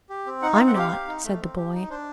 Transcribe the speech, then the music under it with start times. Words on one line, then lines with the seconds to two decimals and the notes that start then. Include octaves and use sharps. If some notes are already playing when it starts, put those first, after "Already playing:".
"I'm not," said the boy.
0.10 G4
0.26 C4
0.42 D#4 F#5
0.55 F5
0.59 C4
0.67 F#5
0.75 G4 F5
0.91 G4
1.08 D#4
1.25 A3
1.40 C4
1.57 G4
1.74 D#4
1.90 D4 C5